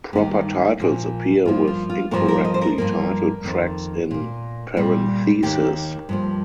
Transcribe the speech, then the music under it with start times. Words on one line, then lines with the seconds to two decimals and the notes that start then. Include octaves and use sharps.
Proper titles appear with incorrectly titled tracks in parenthesis.
0.13 G2 D#3 A#3 G4
0.80 A#2 F3 A#3
1.45 G2 F3 A#3 F4
1.67 F4
1.90 F4
2.11 G2 F3 A#3 A#4
2.28 A#4
2.45 D#5
2.54 C5
2.61 A#4
2.78 G2 F3 A#3 A#4
3.44 F2 D#3 A#3
4.11 A#2 A#3
4.77 A#2 G3 A#3
5.43 D#2 D#3 A#3 G4
6.09 G2 F3 A#3